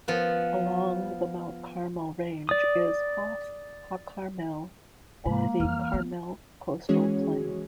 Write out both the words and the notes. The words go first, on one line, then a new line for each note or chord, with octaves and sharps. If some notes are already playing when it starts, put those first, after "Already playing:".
Along the Mount Carmel range is Hof HaCarmel, or the Carmel Coastal Plain.
F3 B3 B4
D5 D#6
G#2 C3 G#3 A#3 B5
F2 E3 G3 F6
B3
E3 G#3 C#4 F#4 G#4 C#5